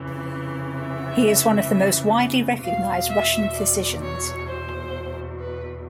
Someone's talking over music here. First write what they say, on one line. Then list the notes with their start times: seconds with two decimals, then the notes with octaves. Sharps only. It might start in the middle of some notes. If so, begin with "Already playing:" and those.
He is one of the most widely recognized Russian physicians.
Already playing: F2 C#3 E3
0.78 E5
2.62 E2 B2 F5
3.08 E5
3.54 D5
4.00 C#5
4.46 C5
5.38 B4